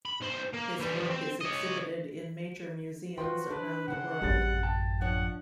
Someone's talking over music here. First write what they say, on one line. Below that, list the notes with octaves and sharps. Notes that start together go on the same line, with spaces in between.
His work is exhibited in major museums around the world.
B5
B1 C5
A#3
E3 G3
C4
C#5 D#5
F4 F#4 B4 C5 G5 C6
D4 B4
C#3 C4 F#5
A1 F#2 G3 A6
G5 A5
F3 D4 C#5 F#5